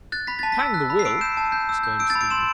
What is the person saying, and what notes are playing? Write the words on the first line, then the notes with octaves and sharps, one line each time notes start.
"Hang the will!" exclaimed Stephen.
F#6 A6
B5 B6
A5 A6
B6
E6
F#6
B5
C7
E6 D7
G6 E7
A5
G6
E6
G6
E6 D7
A6
B5
D7
C6 E7